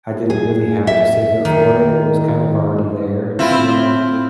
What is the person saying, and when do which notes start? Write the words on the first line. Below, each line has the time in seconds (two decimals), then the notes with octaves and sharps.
I didn't really have to save up for it. It was kind of already there, you know,
0.30 G#4
0.87 E5
1.45 D#3
3.39 C4 E4 F4